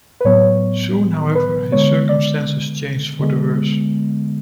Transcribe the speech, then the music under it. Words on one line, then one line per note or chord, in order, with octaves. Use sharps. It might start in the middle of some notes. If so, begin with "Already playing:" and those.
Soon, however, his circumstances changed for the worse.
B4
A2 F#3 B3 C#5
B4
D3 G#3 B3 C#5
D5
D3 G#3 B3